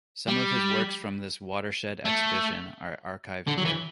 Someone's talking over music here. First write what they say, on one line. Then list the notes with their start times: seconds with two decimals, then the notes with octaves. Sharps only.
Some of his works from this watershed exhibition are archived here.
0.27 G3
2.05 A3
3.48 D3
3.58 F#3
3.65 E3